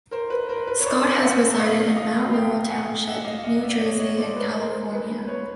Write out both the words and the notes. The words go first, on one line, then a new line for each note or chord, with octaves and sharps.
Scott has resided in Mount Laurel Township, New Jersey, and California.
A#4 C5
B4
A#4 C5
B4
C#5
C5 D5
F5
E5 F#5
D#5 F5
D#5 F5
F5 G5
F#5 G#5
E5 F#5
D#5 F5
D#5 F5
D5 E5
C#5 D#5
C#5 D#5
C5 D5
B4 C#5
A#4 C5
B4
B4 C#5